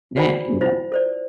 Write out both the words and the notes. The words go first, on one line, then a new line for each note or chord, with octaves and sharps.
na you know."
F#4 C5 D5 G5 G#5 B5
E4 F4 C5
A4 C5 D5